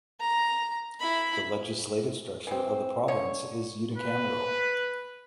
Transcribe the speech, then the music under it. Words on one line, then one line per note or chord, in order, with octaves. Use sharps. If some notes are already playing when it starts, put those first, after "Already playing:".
The legislative structure of the province is unicameral.
A#5
E4 B5
E3 C4
D3 C#5
B4